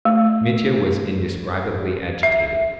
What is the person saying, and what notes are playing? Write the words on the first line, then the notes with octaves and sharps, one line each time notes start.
Mitya was indescribably agitated.
A3
E5